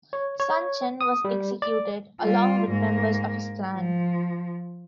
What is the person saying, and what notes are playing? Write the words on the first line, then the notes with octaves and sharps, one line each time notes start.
Sun Chen was executed, along with members of his clan.
C#5
C#5
D#6
G3
D5
G3 F4
G#2 A#3
F3